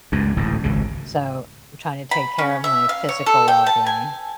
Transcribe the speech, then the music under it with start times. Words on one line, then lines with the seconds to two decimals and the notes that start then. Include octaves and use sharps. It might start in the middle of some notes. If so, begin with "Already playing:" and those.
so I'm trying to take care of my physical wellbeing.
0.12 C#2 G2
0.37 D1 A1 G#2
0.63 G#1 C#2 C#3
2.11 B5
2.39 C#4
2.64 E5
2.89 F5
3.09 C#5
3.26 A4
3.48 G5
3.67 A5
3.86 G#5